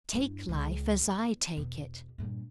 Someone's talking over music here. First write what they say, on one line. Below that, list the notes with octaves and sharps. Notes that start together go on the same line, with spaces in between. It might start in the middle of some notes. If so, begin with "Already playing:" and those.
Take life as I take it.
G2 E4
C#2
E2
E2 B2
G2 A#2